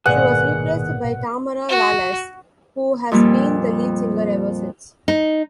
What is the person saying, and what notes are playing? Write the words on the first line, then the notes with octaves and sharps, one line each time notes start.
She was replaced by Tamara Wallace, who has been the lead singer ever since.
A#1 D#2 G#2 B2 G#4 B4 D5 F#5
F#4
F2 A#2 G3 A#3
D#4